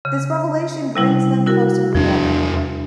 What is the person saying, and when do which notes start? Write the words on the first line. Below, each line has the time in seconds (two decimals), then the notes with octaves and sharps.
This revelation brings them closer together.
0.05 C#3
0.95 C3 G3 E4
1.46 E4 F#4 A#4
1.95 E2 F3 C#4 D4